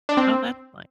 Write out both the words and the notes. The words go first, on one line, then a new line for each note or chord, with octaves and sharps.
Oh, that's fine.
D4
C4